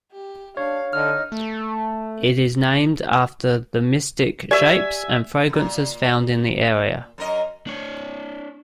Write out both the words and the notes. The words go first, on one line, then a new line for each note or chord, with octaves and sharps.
It is named after the mystic shapes and fragrances found in the area.
G4
D4 C#5 F5
D3 D#4 F6
A3
G4 D5 E5 G#5
F#2 A#2
F#2 A#4 D#5
D4 C#5